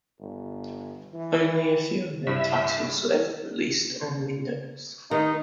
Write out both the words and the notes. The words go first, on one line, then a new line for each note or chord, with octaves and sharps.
Only a few of their titles were ever released on Windows.
G1
E3
G2 E4 E5
D#3 D#4